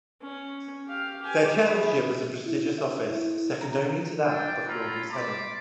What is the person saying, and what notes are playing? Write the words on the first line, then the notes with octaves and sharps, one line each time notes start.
The chairmanship was a prestigious office, second only to that of lord lieutenant.
C#4
G4 F5
G4 G#5
G#4 B5
E4
E5
E4
A#5
D4 G5
C#4 F4 A4 F5 A#5 B5
D5 A5 B5 C6 D6